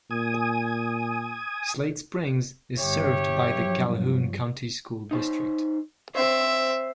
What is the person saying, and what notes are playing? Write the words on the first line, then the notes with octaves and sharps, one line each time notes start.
Slate Springs is served by the Calhoun County School District.
A#2 G#5 D#6
G1 E4 G4 C#5
G2 F3 F#3
D#4 C5 C#5
C4 C5 C#5 E5